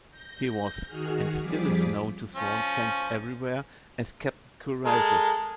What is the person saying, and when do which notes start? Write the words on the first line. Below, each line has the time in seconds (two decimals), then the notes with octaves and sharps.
He was and still is known to Swans fans everywhere as "Captain Courageous".
0.11 G6 A#6
0.86 D#3 F#4 G#4 F6
1.40 F2 F3 G3 G#4 D6 B6
2.36 F3 C#4
4.85 G#3 A4 A#4